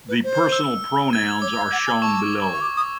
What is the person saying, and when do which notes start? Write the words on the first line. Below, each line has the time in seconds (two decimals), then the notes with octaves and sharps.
The personal pronouns are shown below.
0.09 B4
0.24 C5
0.52 E6
1.13 G#6
1.42 C#5 D6
1.57 F5
1.72 F#5
1.87 G#5
2.02 A5 C#6
2.53 C#6
2.61 D6
2.77 D#6